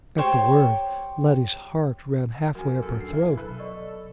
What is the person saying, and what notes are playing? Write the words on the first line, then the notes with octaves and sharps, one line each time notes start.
At the word, Letty's heart ran half-way up her throat.
G4 C5 C#5 C#6
F#2 A#4 G#5
D1 F#2 A4
D4 A#4 C7
A#3 E4 F6
B2 F#3 A4 B4
D5 D#5 C#6